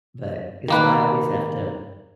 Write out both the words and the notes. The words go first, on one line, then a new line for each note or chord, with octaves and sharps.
but 'cause I always have to,
D#3 A#3 B4